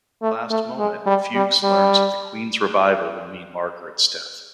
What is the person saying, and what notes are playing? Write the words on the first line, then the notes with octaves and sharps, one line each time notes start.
At the last moment Fuchs learns that the queen's revival will mean Margaret's death.
A3
A3
G#3
G3
G3
G3